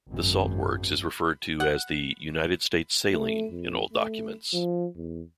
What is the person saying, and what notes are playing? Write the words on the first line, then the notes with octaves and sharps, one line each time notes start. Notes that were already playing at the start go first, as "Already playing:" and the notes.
The salt works is referred to as the "United States Saline" in old documents.
G#1 F#2
F#5
A3
F2
A3
F3
E2